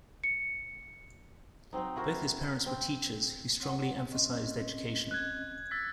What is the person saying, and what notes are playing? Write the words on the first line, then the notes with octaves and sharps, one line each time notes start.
Both his parents were teachers; who strongly emphasised education.
C#7
F#3 C4 D#4
E4 F#4 A#4 C5
C4
C4 C#5 F#5
C4 C#4 D#5
F#6 G#6
E6 A6 B6